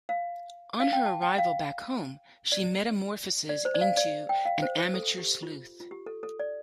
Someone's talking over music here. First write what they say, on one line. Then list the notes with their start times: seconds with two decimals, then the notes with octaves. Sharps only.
On her arrival back home, she metamorphoses into an amateur sleuth.
0.09 F5
0.80 F5
0.93 G5
1.06 A5
1.22 G5
1.38 F5
2.52 D5
3.49 D5
3.65 C5
3.74 D5
3.81 F5
3.97 D5
4.29 G5
4.45 F5
4.62 C5
4.78 C5
4.94 A4
5.18 G4
5.43 F4
5.80 F4
5.91 G4
6.06 A4
6.23 A4
6.39 D5